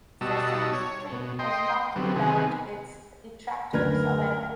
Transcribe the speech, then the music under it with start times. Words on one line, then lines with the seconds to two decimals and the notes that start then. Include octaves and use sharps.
"Sesame Street" was not without its detractors, however.
0.21 B2 G3 F#4 D#5 A5 E6
0.73 C#5
1.12 B2
1.39 D#5 G5 C6
1.96 D3 F#3 G3 B3 C4
2.16 C3 D#3 B3 G#4
3.73 F#1 D2 D3 A#4 B4 G#6